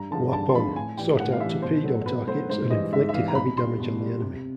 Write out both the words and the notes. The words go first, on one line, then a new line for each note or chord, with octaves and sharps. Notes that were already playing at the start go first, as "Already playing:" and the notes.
"Lapon" sought out torpedo targets and inflicted heavy damage on the enemy.
Already playing: G2 A#5
D3 F3 G#3 A5
G2 A5
C6
D3 F3 G#3 B5
A2 G#5
E3 G3 G5
A2 F#5
F5
E3 G3 E5
B2 C5
F#3 A3
B2 B4
F#3 A3 C5
G#2 C5
E3 G3 D#5
G#2 E5
E5
E3 G3 F5
A#5
B2 B5
G3 C6
B2
G3
C3